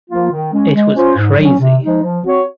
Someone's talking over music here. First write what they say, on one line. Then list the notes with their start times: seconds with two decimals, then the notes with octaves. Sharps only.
It was crazy!
0.10 F3 A#3 F4
0.31 D#3
0.52 G#3 C#4
0.74 G#3
0.95 C#4 F4 C5
1.17 G#2
1.38 F#3 C#4
1.59 C3
1.81 F3 G#3 D#4
2.02 F3
2.24 C4 F#4 C#5